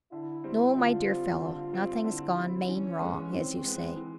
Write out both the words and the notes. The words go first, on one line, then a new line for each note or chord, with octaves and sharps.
No, my dear fellow, nothing's gone main wrong, as you say.
D3 E4
G3 C4
D3 F4
G3 C4
D3 F4
G3 C4
D3 E4
G3 C4
E3 C#4
G#3 B3
E3 C4
G#3 B3
E3